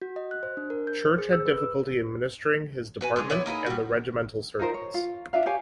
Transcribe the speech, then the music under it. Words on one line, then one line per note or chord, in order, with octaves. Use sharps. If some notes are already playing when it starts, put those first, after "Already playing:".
Church had difficulty administering his department, and the regimental surgeons.
F#4
D#5
F#6
C5
D4
A#4
G6
C5
G#4
E6
B4
E6
F#4 B4 G#5
D3 G#3 G4 G#4
B3 E4 C#5 D5
A#3 D#4 E4 G#4
G3 F#4
D#4 F4 A#4 C5
C#5
F4
D4 F4 E5 F5
G4 C#5 F5 G#5